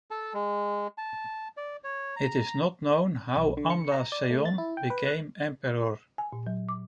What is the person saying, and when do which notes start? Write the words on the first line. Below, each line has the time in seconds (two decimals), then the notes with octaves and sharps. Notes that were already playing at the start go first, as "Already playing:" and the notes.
It is not known how Amda Seyon became Emperor.
0.11 A4 A5
0.34 G#3
0.98 A5
1.57 D5
1.84 C#5
2.16 A#5
3.37 B1
3.57 D3
3.70 C#7
3.92 A#5
4.12 D5
4.31 A3
4.45 A6
4.58 E4
4.77 G5
4.90 B4
5.07 F#6
6.18 G#5
6.32 A#2
6.47 F#3
6.69 D6